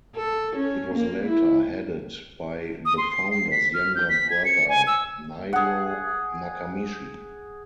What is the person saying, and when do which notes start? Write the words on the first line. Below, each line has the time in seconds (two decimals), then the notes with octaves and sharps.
It was later headed by the founder's younger brother Niro Nakamichi.
0.15 A4
0.56 C#4
0.94 A#3
1.26 E4
2.86 D#6
2.98 C6
3.11 C7
3.31 C7
3.51 B6
3.74 F6
3.95 G6
4.09 B6
4.31 G#6
4.45 C#7
4.69 G#5
4.87 E6
5.53 G#4 F#5